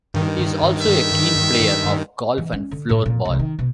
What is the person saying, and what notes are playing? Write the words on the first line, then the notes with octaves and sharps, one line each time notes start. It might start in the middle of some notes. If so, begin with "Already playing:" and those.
He is also a keen player of golf and floorball.
G2 D#3
E5
E3
C#4
D3
A2
A#2
C2
D#3
B2